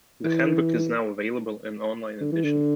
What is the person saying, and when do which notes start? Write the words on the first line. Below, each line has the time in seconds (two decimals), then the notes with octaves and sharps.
The Handbook is now available in an online edition.
0.24 E3
2.21 D3
2.32 E3
2.44 D3